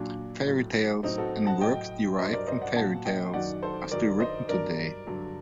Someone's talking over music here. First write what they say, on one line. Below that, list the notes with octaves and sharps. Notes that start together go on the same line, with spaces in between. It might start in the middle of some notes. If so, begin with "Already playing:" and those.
Fairy tales, and works derived from fairy tales, are still written today.
Already playing: A#2 F#3 D4
A2 F#3
A2 F#3 C4 D#4
F#4 A4
F#5 A5
A2 F#3 D#5 G5
G2 F#3 C5 D#5
A#4 D5
C5 D#5
D5 F#5
A#2 F#3 F#5 A5
D#5 G5
F#2 D#3 F#3 D5 F#5
A4 C5
F#2 D#3 F#3 A#4 D5
C5 D#5
G2 F#3 A#4 D5
G2 D3 F#3